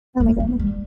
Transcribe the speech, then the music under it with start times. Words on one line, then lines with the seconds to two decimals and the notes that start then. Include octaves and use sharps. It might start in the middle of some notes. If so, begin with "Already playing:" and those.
Oh my god.
0.20 A#3
0.40 A3
0.60 G3